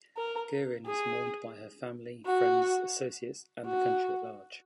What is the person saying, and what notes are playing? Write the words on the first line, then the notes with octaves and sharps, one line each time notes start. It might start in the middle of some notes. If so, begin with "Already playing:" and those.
Guerin is mourned by her family, friends, associates and the country at large.
A#4
G#4
F#4
F#4